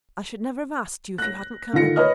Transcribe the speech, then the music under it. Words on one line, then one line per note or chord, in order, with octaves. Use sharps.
'I should never have asked you, if you hadn't come in.
F#6 A#6
D3 D#3 F4 A#6 C#7
B4 C#5 D#5 F6